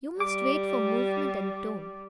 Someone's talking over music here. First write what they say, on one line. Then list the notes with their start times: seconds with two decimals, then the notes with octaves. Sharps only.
You must wait for movement and tone.
0.20 G3 D6